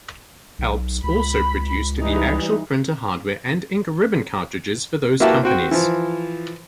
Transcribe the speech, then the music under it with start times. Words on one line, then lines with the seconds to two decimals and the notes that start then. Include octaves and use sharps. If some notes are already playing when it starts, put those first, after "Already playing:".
Alps also produced the actual printer hardware and ink ribbon cartridges for those companies.
0.59 B1
1.04 C#2 B5
1.99 E3 G3 D#4
5.20 A#3 E4 F#4 G4 B4 A5
5.43 C4 F#4 G5
5.71 E3 F3